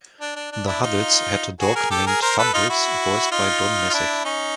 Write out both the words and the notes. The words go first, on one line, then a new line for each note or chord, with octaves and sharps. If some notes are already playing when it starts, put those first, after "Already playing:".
The Huddles had a dog named Fumbles, voiced by Don Messick.
D4
D4
D4
D4 E4
D#4 F4
F#4 G#4
G#4 A#4
G4 A4
G#4 A#4
A#4 C5
A4 B4
D#4 F4
E4 F#4
D#4 F4
F4
D4 E4
C#4 D#4